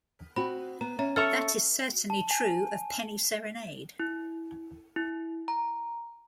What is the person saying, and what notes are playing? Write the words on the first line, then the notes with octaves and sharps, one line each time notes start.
That is certainly true of "Penny Serenade".
C4 F#4 B5
B3 A#5
C#4 E5 A#5
A4 E5 C#6 F6 A6 F7
A5
G#5
E4
E4
A#5